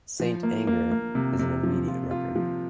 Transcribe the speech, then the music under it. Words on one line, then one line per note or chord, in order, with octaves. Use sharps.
"St. Anger" is an immediate record.
F3
A#3
A#3
A#3
C3
C3
F3
F4
F4
F3